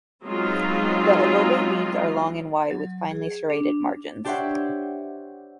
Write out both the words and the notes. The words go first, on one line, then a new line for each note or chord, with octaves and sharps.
The obovate leaves are long and wide with finely serrated margins.
F#3 G#3 B3 C4 D#4 F4
F#3
G#4
D4
D4 G4 C5 C#5 E5 F#5